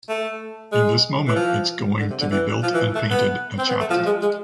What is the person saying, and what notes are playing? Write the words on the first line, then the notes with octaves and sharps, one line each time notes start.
In this moment, it’s going to be built and painted a chapel.
A3
G#3
E3
F3
D3
C3
D3
E3
F3
E3
A3
B3
C4
B3
A3
F3
G#3
G#3